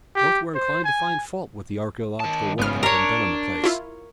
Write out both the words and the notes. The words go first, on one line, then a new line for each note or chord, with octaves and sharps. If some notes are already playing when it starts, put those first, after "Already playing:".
Both were inclined to find fault with the archaeological work that had been done on the place.
G4
C5
G#5
D#3 A5
G#1 C#3 B3 F6
D4 A#4 C#5
E4 F4